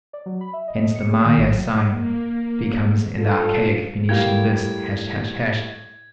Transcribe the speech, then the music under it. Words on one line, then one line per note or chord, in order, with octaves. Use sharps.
Hence the Maya sign becomes in the archaic Phoenician this, ### .
D5
F#3
B5
E5
D#5
D#5
C#7
G#4
D#3
A1
F#3
A#3
F4 A4
A2 G3 G4 A#4 F5 G#6